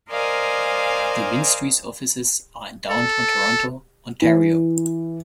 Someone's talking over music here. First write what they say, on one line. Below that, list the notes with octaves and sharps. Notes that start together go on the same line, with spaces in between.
The Ministry's offices are in downtown Toronto, Ontario.
A#4 C5 D5 D#5 F5 G#5
A4
E3